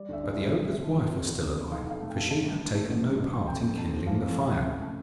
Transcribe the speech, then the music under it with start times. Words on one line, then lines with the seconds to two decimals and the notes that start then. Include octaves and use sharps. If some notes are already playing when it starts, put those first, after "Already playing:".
But the ogre's wife was still alive, for she had taken no part in kindling the fire.
Already playing: G3 D5
0.08 D2 E5
0.23 D2 D5
0.32 E5
0.37 G3
0.53 G1 E5
0.67 C3
0.82 F3
0.97 F3
1.11 F1
1.26 E2
1.41 E2
1.56 F1
1.70 B1 F5
1.86 B1 F5
2.00 A3
2.10 G5
2.15 A3
2.29 G1 A5
2.45 G2
2.59 G2
2.74 A3
2.88 A1
3.04 G2
3.19 A1
3.33 A1
3.48 F2 G5
3.63 F2
3.77 F2 A5
3.92 F3
4.07 E3 F5
4.22 F2
4.37 C3
4.51 F2
4.67 A1
4.81 A3